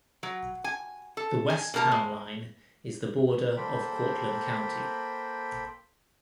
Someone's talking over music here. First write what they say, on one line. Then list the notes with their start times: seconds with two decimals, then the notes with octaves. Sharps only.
The west town line is the border of Cortland County.
0.23 F#3
0.64 G#5
1.17 A4
1.50 G#5
1.74 B2 A#3 A#4 A5
1.91 G#3
3.57 A#3 A4 C5 G5 B5